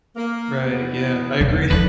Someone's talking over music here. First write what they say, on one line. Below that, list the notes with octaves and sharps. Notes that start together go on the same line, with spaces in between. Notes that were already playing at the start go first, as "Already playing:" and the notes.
Right. Yeah, I agree.
A#3
E2 B3
E1 D3
E2 F3 A3 D4 B4